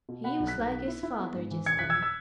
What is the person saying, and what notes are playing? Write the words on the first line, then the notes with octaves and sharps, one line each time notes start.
He was like his father just then.
B2
B3 F#5 B5
B1
F#6 B6
B1
B3
E4
E4
B3
G#2
E3
E1 G#6 C#7
E1 F#6 B6
E6 G#6
E6 G#6